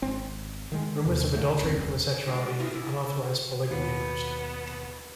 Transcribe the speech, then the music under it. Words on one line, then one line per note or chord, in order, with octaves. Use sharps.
Rumors of adultery, homosexuality, and unauthorized polygamy emerged.
G#1 C4
D#3 G#3
D#2 C3
D2 A#2 D3 A3
E1 C#2 F#2 C4
D3 G#3 F#4 D5
G#3 B3 C4 E4 F4
D3 E4
D#2 B2 B3